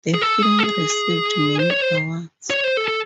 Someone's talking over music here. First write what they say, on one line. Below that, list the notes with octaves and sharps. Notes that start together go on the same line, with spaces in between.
The film received many awards.
G#4
A4
G#4
A4
G#4
C5
C#5
C5
C#5
C5
A4
A4